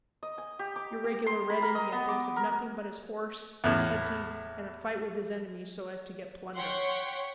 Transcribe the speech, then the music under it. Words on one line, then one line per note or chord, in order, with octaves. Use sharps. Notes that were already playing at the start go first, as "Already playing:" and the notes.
Your regular Red Indian thinks of nothing but his horse, his hunting, and a fight with his enemies so as to get plunder.
D#5
G#5
G4
D6
G4
C6
B5
A#4
D#5
B3
D6
A#4
E2 A2
C#5 F#5 G5 C6 C#6 B6